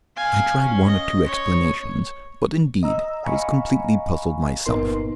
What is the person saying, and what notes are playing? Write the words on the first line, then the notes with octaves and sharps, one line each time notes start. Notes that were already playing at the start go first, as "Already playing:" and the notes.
I tried one or two explanations, but, indeed, I was completely puzzled myself.
F5 G#5
C#4
D#5
C#5
D#5 A#5 E6
D#5 F5 G#5 A#5 B5 C#6
G1 A#2 B3 D#4 A#4 C6